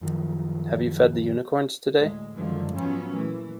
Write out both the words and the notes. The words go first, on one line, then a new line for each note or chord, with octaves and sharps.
Have you fed the unicorns today?
F#2 D#3 F3
D2 A2 G#3
F#2 D3 D#3 F3 G#3
G#2 F3 F#3 B3 C#4
A#2 E3 A3